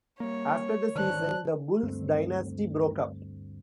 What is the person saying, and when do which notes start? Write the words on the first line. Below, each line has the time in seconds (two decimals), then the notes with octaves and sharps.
After the season, the Bulls dynasty broke up.
0.20 G3 A#3 C#5
0.95 G#1 D3 D#3 C5 D5 A5 F#6
1.83 D2 G2 A3 C4